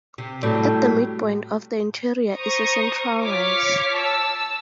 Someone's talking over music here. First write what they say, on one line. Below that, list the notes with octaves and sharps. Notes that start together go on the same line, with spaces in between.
At the midpoint of the interior is a central rise.
C3
A2 F#3 G3
C5 A#5 C#6 D#6
F4 C#5 D6 F6 B6 C#7
A5 E6